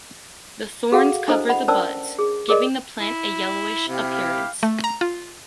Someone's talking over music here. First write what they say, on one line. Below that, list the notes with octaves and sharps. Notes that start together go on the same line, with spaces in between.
The thorns cover the buds, giving the plant a yellowish appearance.
F#4 G#4 A4 F5 F#5
D4 E4 A4 C5 D#5
F#5 B5
C#4 A#4 C5 D5 A5 E6
G#4
G#4 A#4 D5 D#5
E4
C3 E4 G4 F5
A3
A#5
F4